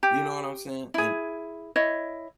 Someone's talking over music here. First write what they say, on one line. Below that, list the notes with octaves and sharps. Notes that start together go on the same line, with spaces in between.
You know what I'm saying? And
G4
E4 G#4
E4 C#5 D#5